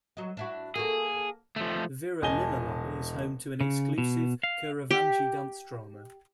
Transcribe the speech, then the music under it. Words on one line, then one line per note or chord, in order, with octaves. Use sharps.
Viralimalai is home to an exclusive kuravanji dance-drama.
F#3 D#5
D4 E4 F#4
A#3 F#4 G#4 A4
D#2 F3 A3
E1 D#5 G#5 A5 G7
C#3
B2
F5
G4